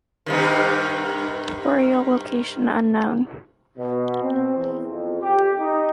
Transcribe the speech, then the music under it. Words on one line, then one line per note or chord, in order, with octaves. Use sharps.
Burial location unknown.
G2 C3 D#3
B2
C4
E2
F2
G4
D#4